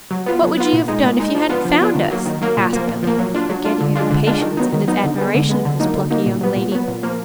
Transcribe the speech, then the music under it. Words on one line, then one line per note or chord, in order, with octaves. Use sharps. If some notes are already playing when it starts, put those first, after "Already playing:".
"What would you have done if you hadn't found us?" asked Billy, forgetting his impatience in his admiration for this plucky young lady.
F#3
B3 F4
F#3
B3 F4
A#2
G#3 D#4
A#2
G#3 D#4
F3
B3 D4 F4
F3
B3 D4 F4
D#3
F#3 A#3
D#3
F#3 A#3
A#2
F3 A#3
A#2
F3 A#3
F#3
D4 F4
F#3
D4 F4
D3
G#3 D4 F4
D3
G#3 D4 F4
D#3
F#3 B3 D#4
D#3
F#3 B3 D#4
D3
G#3 B3
D3
G#3 B3
D3
F#3 A#3 D#4
D3
F#3 A#3 D#4
A#2
F#3 B3
A#2
F#3 B3
A#2
F3 A#3